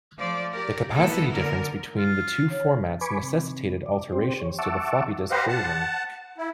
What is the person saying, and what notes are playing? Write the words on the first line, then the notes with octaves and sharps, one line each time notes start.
The capacity difference between the two formats necessitated alterations to the floppy disk version.
F3 A3 D5
G4 A#4 D5
A#3 B3 E4 A4
D3 A#4
F4
C#5
B4 G#5 B5 C#6 D6
C3
D5
C4 G4 C5
C#5
E5 F#5 A5 C#6 D6 E6
G4 B4 C5 D#5 F5 F#5
F#5 A5
E4